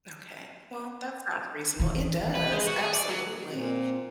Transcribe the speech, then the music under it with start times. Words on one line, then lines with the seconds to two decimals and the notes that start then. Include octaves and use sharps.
Okay. Well, that sounds reasonable. It does, absolutely
1.79 E3
2.35 B4
2.52 G#3
2.67 F#4
2.83 G#4
2.95 D5
3.09 F#3
3.52 A#2 C4